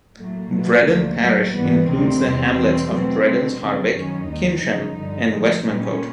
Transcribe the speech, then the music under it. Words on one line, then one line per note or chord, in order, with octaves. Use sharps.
Bredon parish includes the hamlets of Bredon's Hardwick, Kinsham and Westmancote.
A2 F#3 A3 A#3
B2 F#3 A3
D2 D3 F3 A3
A2 F#3 A3
G#2 E3 G3 B3
D2 C3 D#3 G3 C4
E2 C3 E3 G3
B2 G3
B2 F#3 A3 C4
B2 G3
F#2 C#3 F3 C4
F#2 D#3 F#3 C#4
D#2 D#3 G3 D#4
F#2 C#3 F3 G#3
G2 D3 G3
A#2 F3 A3
A#2 G3 C#4